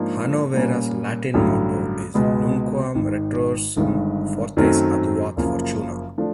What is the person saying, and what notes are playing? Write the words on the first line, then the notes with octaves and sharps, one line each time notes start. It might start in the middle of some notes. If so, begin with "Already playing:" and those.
Hannovera's Latin motto is Nunquam retrorsum, fortes adiuvat fortuna!
Already playing: G#2 F3 A#3 D4
A#2 G3 A#3 C#4
A1 G2 D3 F#3
C#2 B2 G#3 B3
G#1 G#2 D#3
G1 G2 D#3 G#3
F#2 D#3 F#3 A3 C4
F#1 F#2 C#3 F3 A#3
F3 A3 D4